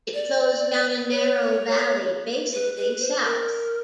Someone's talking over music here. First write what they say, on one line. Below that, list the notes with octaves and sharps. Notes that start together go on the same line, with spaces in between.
It flows down a narrow valley, basically south.
D5
C#5
B4
B4
C5
A#4